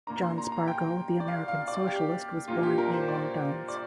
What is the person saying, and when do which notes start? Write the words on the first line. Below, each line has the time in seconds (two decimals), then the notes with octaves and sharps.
John Spargo, the American socialist, was born in Longdowns.
0.07 A#2 A#3 D4 A#5
0.22 C6
0.38 A#5
0.52 A#5
0.68 G5
1.20 D5
1.28 F5
1.48 F5
1.68 D5
1.87 G4
2.48 A#2 G3 A#3 D4 F4
2.63 G4
2.78 A#4
2.93 C5
3.08 D5
3.68 D5